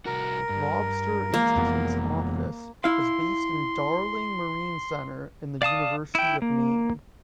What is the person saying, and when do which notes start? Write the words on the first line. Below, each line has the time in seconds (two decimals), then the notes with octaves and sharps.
Lobster Institute’s office is based in Darling Marine Center in the University of Maine.
0.06 C2 F#4 A#4
0.49 G2
1.34 E3 G#3 A#3
1.56 F1 F2 B3
2.84 E4 F5 C6
5.62 D5 F5 A5 D#6
6.15 E4 G5
6.42 A#3